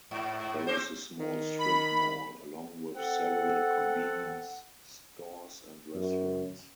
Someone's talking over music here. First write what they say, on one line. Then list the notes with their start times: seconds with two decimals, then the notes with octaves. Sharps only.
There is a small strip mall along with several convenience stores and restaurants.
0.11 G#2
0.67 C4 C#4 C5
1.20 D#3
1.59 B5
2.96 C4 A4 F#5
5.95 F#2